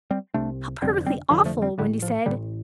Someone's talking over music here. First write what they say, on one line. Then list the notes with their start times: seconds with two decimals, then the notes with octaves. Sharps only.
"How perfectly awful," Wendy said.
0.11 G3 C4
0.34 C2 C3 A3 D4
0.82 F1 F2 D3 G3 C4
1.06 G3 C4
1.30 F1 F2 D3 F3
1.45 F3 A3
1.62 G3 C4
1.78 A1 A2 D3 G3
2.02 F3
2.26 A1 A2 D3 G3